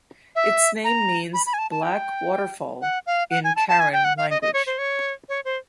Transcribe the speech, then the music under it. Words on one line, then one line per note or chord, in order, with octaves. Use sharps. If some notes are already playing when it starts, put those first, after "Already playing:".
Its name means ""black waterfall"" in Karen language.
E5
A#5
B5
B5
G#5
A5
A5
G5
F#5
F5
F#5
G#5
A5
A5
G#5
G5
F#5
F5
D#5
D#5
C#5
C5
C#5
C#5
C5